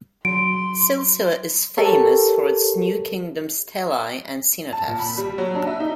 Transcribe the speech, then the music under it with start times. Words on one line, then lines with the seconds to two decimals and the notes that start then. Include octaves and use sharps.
Silsila is famous for its New Kingdom stelai and cenotaphs.
0.25 F#3 C6 D7
1.77 G4 A4 A#4 C#5
4.73 A5
4.87 A#2
4.99 B5
5.18 G3
5.38 F#3
5.55 D4
5.67 E5
5.80 D#4